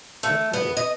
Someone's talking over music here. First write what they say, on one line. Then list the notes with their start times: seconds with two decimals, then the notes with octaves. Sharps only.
That's great.
0.23 A3
0.53 B3
0.77 D#5